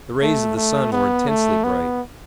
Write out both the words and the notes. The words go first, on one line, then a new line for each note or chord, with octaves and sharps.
The rays of the sun were intensely bright.
A3
A3
B3
A3
B3